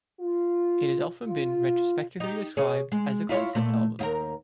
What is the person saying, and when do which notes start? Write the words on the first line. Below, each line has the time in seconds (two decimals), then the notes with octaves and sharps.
It has often been retrospectively described as a concept album.
0.21 F4
1.28 F4
2.20 D#4 G4
2.57 G#4 C#5
2.92 G#3
3.29 E4 F4 C#5
3.55 A#2 A3
3.99 D#2 F4 A#4